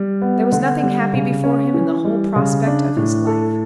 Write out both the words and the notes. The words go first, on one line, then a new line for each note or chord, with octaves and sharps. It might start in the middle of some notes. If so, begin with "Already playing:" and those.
There was nothing happy before him in the whole prospect of his life.
Already playing: G3
B3
D3
G3
C#3
C#4
E3
G3
C#3
D4
A2
A4